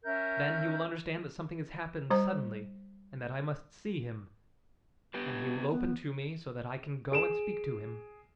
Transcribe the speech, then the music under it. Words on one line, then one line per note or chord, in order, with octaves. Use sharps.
Then he will understand that something has happened suddenly and that I must see him, and he will open to me so that I can go and speak to him.
C#4 A#4 E5 G6
G3 C5 A#5
B3 G4 B4
B3
G#4 D7 E7